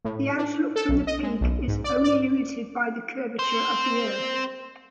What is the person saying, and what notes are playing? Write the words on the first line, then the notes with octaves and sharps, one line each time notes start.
The lookout from the peak is only limited by the curvature of the earth.
A2
D4
A4
B1
D#5
G#3
B1
G#2
D5
D5
C4 C5